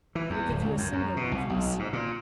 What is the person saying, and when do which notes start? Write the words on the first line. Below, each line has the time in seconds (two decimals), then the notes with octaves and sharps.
"He will give you a similar one for Monsieur."
0.15 E3
0.30 E2
0.49 D1
0.62 C#2
0.78 F#2
0.93 F#2
1.16 B2
1.32 C2
1.50 B1
1.79 G#2
1.93 A#2